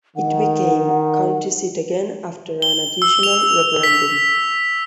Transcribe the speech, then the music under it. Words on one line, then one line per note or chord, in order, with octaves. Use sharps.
It became county seat again after an additional referendum.
D#3 F#5
G7
E6
F7
B6